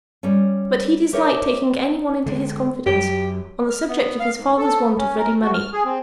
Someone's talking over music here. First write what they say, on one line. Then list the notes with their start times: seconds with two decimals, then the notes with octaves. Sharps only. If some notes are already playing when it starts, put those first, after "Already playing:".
But he disliked taking any one into his confidence on the subject of his father's want of ready money.
0.23 G3 C#4
1.13 G4 A#4 C#5 D#5 E5
2.26 D3 G#3
2.86 F#2 F#3 G4
3.70 F6
3.88 B3
4.20 F5
4.38 G#2
4.58 A4
4.81 B3
4.98 C#4
5.18 A#4
5.42 F#4
5.54 F6
5.73 G#4
5.85 C4